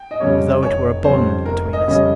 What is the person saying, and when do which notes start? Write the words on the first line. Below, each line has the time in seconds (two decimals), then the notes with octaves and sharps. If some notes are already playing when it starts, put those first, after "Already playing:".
As though it were a bond between us.
Already playing: G5
0.11 D#5
0.20 F2 C#3 G3 C#4 C#5
0.62 F1 C#5
1.04 F2 C#3 G3 C#4 C5
1.46 F1 A#4
1.73 D#5
1.88 F2 C#3 G3 C#4 D#5